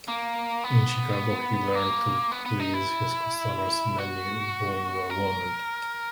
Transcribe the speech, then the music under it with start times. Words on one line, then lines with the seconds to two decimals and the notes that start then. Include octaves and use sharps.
In Chicago he learned to please his customers, many of whom were women.
0.08 A#3
0.64 B3
1.75 A#3
2.32 B3
2.45 B3
2.60 D#4
2.74 E4
3.98 F#4
5.10 A#4